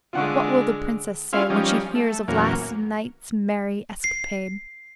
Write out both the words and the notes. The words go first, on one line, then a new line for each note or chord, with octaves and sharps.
What will the princess say when she hears of last night's merry escapade?
D3 G#3 F4 F#5 C#6
C#4 E4 F4 G#4 F5 C6
F3 G3 C#4 D#4
A3
E2 A#2 F#3 A#3 C#4
C7